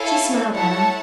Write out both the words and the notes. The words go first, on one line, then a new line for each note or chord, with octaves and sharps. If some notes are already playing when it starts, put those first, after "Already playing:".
She smiled at him.
Already playing: E4 A4 C#5 F5 G#5
E4 A4 C#5 F#5 A5